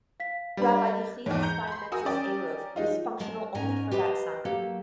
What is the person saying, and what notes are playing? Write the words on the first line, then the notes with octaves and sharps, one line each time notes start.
Rabbi Yechiel Steinmetz's Eruv was functional only for that summer.
F5 B6
G3 D4 B4 D5 B5
D#5
E2 G#2
A#5 G6 C#7
B5 C6
F#4 A#4 G#5 D#6 E6
C#4 A#4 D5 G5
G#3 D#4 F4
G#3 A#4 A5
G#2 C#4 D#4 A#4 G#5
G4 B4 C5 D#5
F#3 A#3 G4 A4